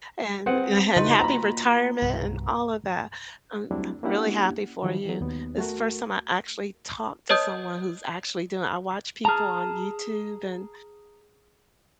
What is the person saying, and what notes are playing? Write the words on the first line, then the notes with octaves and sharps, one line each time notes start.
and an and happy retirement and all of that, um, I'm really happy for you. It's the first time I actually talked to someone who's actually doing it. I watch people on YouTube and
C4 G#4 B4 F#5
C#3 D4 D#4 F4 F#4 B4
A#3 A#5 B5
C2 G2 B2
F#3 G3 A3 C4 D4 E4
A#3 C#4 D4 E4 G4 F#5
D#3 F3 G3
E3 F#3
D#2 B3
A3 F#4 A#4
B4 C#5 D#5 A5 D#6 G6
G#4 A5 A#5 F6